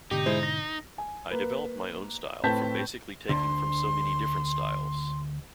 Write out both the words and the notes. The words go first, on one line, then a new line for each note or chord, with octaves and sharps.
I developed my own style from basically taking from so many different styles.
G#2 B2 D3 D#4 G4
G#3 E4 C5
A#6
G#5
A#3 B4
A2 C4 B4 A5 G6 B6
D2 D3 C6